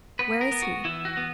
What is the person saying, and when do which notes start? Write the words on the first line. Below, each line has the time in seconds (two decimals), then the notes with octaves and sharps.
"Where is he?"
0.19 B3 B4
0.41 A#4
0.52 B3
0.62 F#4
0.84 E3 E4
1.05 F#4
1.17 B3